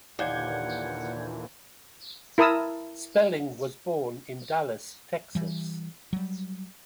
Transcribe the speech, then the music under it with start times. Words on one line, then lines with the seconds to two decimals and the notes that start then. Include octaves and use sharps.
Spelling was born in Dallas, Texas.
0.19 D#2 A#2 D3 E3 D5 F#5 G6 G#6
2.38 E4 A#4 A5 D#6 E6
5.35 E3 G3
6.13 F#3 G3